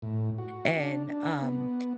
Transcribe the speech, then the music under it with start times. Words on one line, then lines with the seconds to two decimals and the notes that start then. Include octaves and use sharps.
and, um,
0.02 A2
0.38 F#4
0.77 D4
1.11 D4
1.42 B3